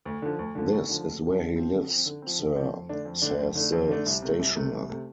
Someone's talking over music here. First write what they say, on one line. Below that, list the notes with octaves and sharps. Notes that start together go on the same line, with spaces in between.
"This is where he lives, sir," says the stationer.
D2
D3 F3
D2
D3 F3
D2
D3 F3
D2
D3 F3
D3
F3 C4
D3
F3 C4
D3
F3 C4
D3
F3 C4
F2
D3 A3 D4
F2
D3 A3 D4
F2
D3 A3 D4
F2
D3 A3 D4
C2
C3 A3
C2
C3 A3
C2
C3 A3